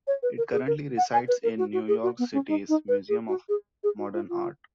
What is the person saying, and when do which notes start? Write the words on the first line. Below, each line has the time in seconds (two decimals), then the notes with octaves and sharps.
It currently resides in New York City's Museum of Modern Art.
0.07 C#5
0.23 B4
0.38 A#4
0.52 G#4
0.67 A#4
0.98 F#5
1.13 G#5
1.28 B4
1.43 A#4
1.58 F#4
1.73 F#4
1.88 G#4
2.03 F#4
2.19 B3
2.33 C#4
2.48 D#4
2.69 D#4
2.88 B4
3.09 G#4
3.28 F#4
3.49 G#4
3.84 G#4
3.99 F#4
4.14 F4
4.29 F4